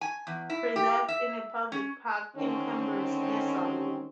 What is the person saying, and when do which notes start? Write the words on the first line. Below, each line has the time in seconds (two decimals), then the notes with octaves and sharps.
Preserved in a public park in Cambrils near Salou.
0.01 G#5
0.27 E2
0.50 E4
0.76 G4
1.08 E5
1.72 C#4
2.36 D3 D#3 G#3 C4 C#4